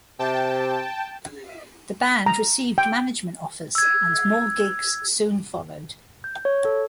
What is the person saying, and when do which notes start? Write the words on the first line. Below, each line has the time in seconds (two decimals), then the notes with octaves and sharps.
The band received management offers and more gigs soon followed.
0.19 C3 G5 A5
2.26 A#5
2.78 G5
3.75 E6 G#6
6.24 G6
6.45 C#5
6.65 A4